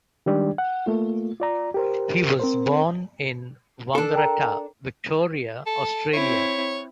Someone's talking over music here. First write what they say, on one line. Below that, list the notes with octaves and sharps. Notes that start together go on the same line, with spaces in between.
He was born in Wangaratta, Victoria, Australia.
D#3 G3 G#3 D4 G4 D5
F#5
A3 A#3 F4
F4 D5 A#5
G4 A#4 C5
C4 A#4 C5
D4 A4
A#4 G5 A#5
A4
C4 E4 C#5